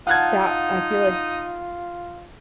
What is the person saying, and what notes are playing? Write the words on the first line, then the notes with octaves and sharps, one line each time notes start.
that I feel like
D#4 F4 F5 F#5 A5 F6 F#6 G#6